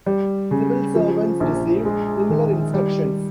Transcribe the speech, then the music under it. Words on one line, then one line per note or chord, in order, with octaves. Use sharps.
Civil servants received similar instructions.
G3
C#3
F3
A#1
G#3
D#3
G3